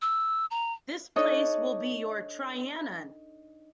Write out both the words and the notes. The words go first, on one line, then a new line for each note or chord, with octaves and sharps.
This place will be your Trianon.
E6
A#5
D4 D#4 A4 C#5 D#5